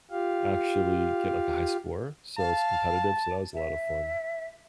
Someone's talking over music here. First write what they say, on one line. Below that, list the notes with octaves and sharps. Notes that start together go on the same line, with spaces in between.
actually get, like, a high score, so it's competitive, so that was a lotta fun.
F4 G4 F5
F5 A5
E5